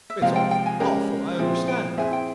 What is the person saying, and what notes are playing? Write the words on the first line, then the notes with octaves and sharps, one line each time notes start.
It's awful, awful, I understand that!
E5
C3 F3 G#3 C4 F4 F5
G5
G5
G#5
G#3 C#4 G4 A#4
A#2 F3 C4 E4 G#4
G5
C4 E4 G#4 E5 G#5
G5